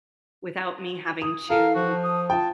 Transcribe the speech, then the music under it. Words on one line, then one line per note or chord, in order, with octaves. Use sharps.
without me having to,
D#6
A4 A#4 F5
F3 F#4
D#6
F4 G5 A5